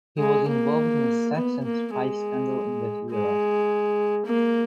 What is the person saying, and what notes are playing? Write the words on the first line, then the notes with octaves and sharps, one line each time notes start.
He was involved in a sex and spy scandal in that era.
G#3
A#3
B3
A#3
G#3
G#3
A#3